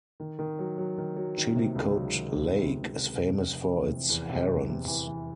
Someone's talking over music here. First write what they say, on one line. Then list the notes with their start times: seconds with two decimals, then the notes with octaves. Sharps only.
Chillicote lake is famous for its herons.
0.20 D#3
0.39 D#3
0.59 F#3
0.78 F#3
0.98 D#3
1.17 F#3
1.37 D#3
1.56 C3
1.75 C#2
1.95 F#3
2.15 D#3
2.35 F#3
2.53 C3
2.73 C#2
2.93 C3
3.13 C3
3.33 F1
3.52 F1
3.72 E3
3.90 C3
4.10 E2
4.30 C3
4.49 C3
4.69 C3
4.88 E3
5.07 E3